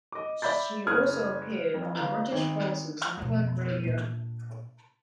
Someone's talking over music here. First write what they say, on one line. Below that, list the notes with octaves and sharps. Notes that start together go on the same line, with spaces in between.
She also appeared on British Forces Network radio.
D#5 D6
D5 E5 B5 G6 A6
F#1 D#6 F6 F#6 G#6
F2
G1 F5 A#5
G#1
F2 B2
A#2 D4